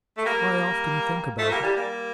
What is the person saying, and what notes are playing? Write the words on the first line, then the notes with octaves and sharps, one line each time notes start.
I often think about it.
A3
G3 A#3
F3 A3
G3 A#3
E3 G3
G3 A#3